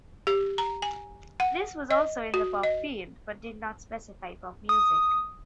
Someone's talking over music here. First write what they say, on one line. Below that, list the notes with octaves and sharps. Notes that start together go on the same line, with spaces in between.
This was also in the pop field, but did not specify pop music.
G4
A#5
G#5
F#5
D#5
F#4
D#5
D#6